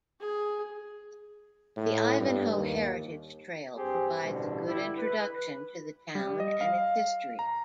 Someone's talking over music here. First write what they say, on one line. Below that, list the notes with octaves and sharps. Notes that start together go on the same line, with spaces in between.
The Ivanhoe Heritage Trail provides a good introduction to the town and its history.
G#4
A2
G2
D#2
G2 C4 G4 G#4 C5
A1 G2 B2 D3 G3
D3 G3 E4
B4
G3
D#5
F5
A#5